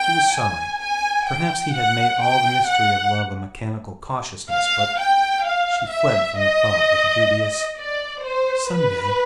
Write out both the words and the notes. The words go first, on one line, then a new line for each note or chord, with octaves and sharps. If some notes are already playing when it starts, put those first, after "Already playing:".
She was sorry----Perhaps he had made all the mystery of love a mechanical cautiousness but----She fled from the thought with a dubious, "Some day."
Already playing: G5
G#5
G#5
G5
F#5
G5
F#5
F5
G5
F5
E5
D#5
D5
C5
B4